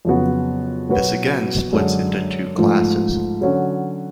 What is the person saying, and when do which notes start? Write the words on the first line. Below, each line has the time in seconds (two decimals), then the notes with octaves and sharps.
This again splits into two classes.
0.05 F2 C#3 F#3 B3 F#4
0.89 B2 F#3 B3 F#4 B4
1.73 F#2 D3 G#3 D4 G#4
2.57 G#2 F3 A3
3.41 D3 F#3 C#4 F#4